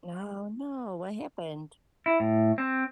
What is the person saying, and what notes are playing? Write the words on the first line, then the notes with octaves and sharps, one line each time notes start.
Oh, no! What happened?
E4
A2
C4